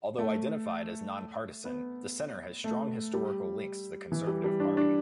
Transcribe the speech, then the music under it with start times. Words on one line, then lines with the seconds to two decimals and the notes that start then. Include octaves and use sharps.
Although identified as non-partisan, the Centre has strong historical links to the Conservative Party.
0.18 A3
1.65 B3
2.64 A3
3.14 G3
4.12 E3
4.27 G3
4.44 G3
4.60 D4
4.77 D4